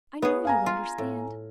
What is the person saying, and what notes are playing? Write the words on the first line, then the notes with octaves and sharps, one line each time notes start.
I know you understand.
B3 G#4 C#5
F5 G#5 A#5
F4
A2